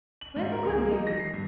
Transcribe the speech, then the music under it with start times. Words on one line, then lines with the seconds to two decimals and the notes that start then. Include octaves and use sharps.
Where could they be?
0.21 F#7
0.36 G#2
0.52 A#4
0.65 C#2
0.77 A#3
0.92 D#4
1.07 A#6
1.20 C7
1.34 G2